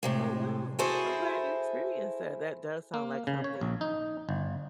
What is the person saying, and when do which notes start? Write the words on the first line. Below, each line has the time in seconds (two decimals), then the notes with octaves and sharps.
Oh, wow. I'm glad you experienced that. That does sound like something
0.03 A2 C3 G#3
0.79 E4 F#4 G#4 A4 C5
2.94 A#3
3.27 C#3
3.44 C#5
3.61 A#1
3.81 D#4
4.29 G1